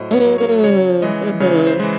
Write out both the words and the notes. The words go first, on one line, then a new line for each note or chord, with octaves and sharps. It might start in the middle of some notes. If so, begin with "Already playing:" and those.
Mm, mhm.
Already playing: A2 F#3 C5 D#5
C#5
F#3
C#5
C#3 C#5
E3 G#3 D#5
C#3 C#5
C5
E3 G#3